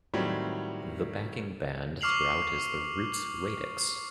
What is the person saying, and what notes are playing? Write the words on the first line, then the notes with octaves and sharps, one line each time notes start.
The backing band throughout is the Roots Radics.
A2 D#3 F#3 G3 C4
C#6 D6 F6 C7 F7 F#7